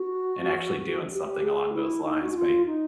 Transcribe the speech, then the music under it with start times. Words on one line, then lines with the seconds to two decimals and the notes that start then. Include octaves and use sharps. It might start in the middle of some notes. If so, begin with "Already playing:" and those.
and actually doing something along those lines. My
Already playing: F#4
1.12 G4
1.42 G#4
1.73 E4
2.04 D#4
2.23 F#4
2.35 F4
2.66 D#4